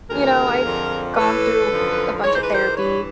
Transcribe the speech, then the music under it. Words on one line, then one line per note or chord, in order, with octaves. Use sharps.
you know, I've gone through a bunch of therapy,
D2 C3 E3 G#4 A#4
F2 D3 F3
A2 E3 A4 B4
F#2 D3 F3
G#2 E3 C#5
C5
B4
A#4 C5
G2 E3 B4 C#5